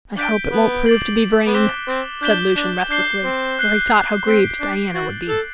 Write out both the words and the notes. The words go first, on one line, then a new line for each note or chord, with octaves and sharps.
"I hope it won't prove to be Vrain," said Lucian restlessly, for he thought how grieved Diana would be.
D4 G6 B6 D7 G7
B3
D6 A6 C7 F#7
B3
C4 D6 F#6 B6 E7 G7
C4
D4 G6 B6 E7 G7
D4
D4 G6 C7 G7
C4
F#6 C7 G7
C4 F#6 B6 D7
D4
F#4 A6 D7 F#7
A4